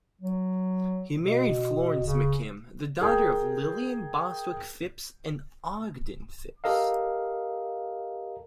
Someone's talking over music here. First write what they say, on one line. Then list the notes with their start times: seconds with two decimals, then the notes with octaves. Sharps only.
He married Florence McKim, the daughter of Lillian Bostwick Phipps and Ogden Phipps.
0.21 F#3
1.18 B2
2.07 C#3
3.01 G#4 A#4 G5
6.64 G4 A4 A#4 D#5 F5